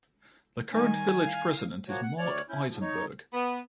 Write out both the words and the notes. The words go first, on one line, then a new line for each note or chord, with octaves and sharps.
The current village president is Mark Eisenberg.
D#3 G3 G#5
F5
F3 A#3 F#4 C#5
F#5
D2 C#5 D5 F6
C#4 E4 G6
G#2 F3
D#4 C#5
B3